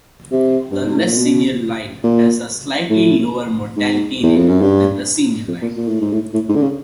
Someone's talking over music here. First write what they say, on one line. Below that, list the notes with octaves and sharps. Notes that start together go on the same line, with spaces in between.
The less senior line has a slightly lower mortality rate than the senior line.
C3
G2
G#2
A2
A#2
B2
A#2
A2
G#2
E2
F2
F#2
G2
F2
A#2
A#2
A2
G#2
A2
A2
G#2
D3
C#3